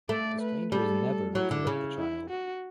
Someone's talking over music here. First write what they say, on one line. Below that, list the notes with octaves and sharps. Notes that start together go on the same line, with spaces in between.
The stranger is never to lick the child.
A3 D5
B4
G3 A4
F#3 E4
D3
C#3
E4
F#4